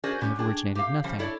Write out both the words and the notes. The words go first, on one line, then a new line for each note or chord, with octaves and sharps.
I have originated nothing.
C#4 F#4 G#4 A#4 C5 D5
F#3 G3 C#4
D4 G#4 G5
G4 F5
C#3 F3 G3
D4 E4 A4 C#5 D5